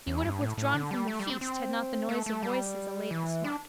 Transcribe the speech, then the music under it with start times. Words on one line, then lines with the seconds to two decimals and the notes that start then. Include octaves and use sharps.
He would have withdrawn from the feast had not the noise of voices allayed the smart.
0.07 E2
0.24 G2
0.41 A2
0.58 A2
0.75 D3
0.91 G3
1.08 A3
1.20 G3
1.30 C4
1.41 C4
2.09 A3
2.26 A3
2.43 G3
3.11 E3
3.44 D4